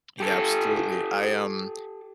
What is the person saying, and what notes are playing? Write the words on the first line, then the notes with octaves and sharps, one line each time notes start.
Yeah, absolutely. I, um,
G4 A4